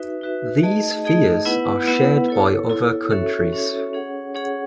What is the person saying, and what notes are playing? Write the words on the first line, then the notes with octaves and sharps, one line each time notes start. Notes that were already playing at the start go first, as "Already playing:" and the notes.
These fears are shared by other countries.
Already playing: D#4 F#4 B4 E5
D#4 F#4 B4 E5
A3 D#4 G#4 D#5
A3 D#4 G#4 D#5
B3 E4 B4 F#5
B3 E4 B4 F#5
E4 A4 C#5
E4 A4 C#5
C#4 F#4 A4 C#5 E5
C#4 F#4 A4 C#5 E5
C#4 G#4 C#5 F#5
C#4 G#4 C#5 F#5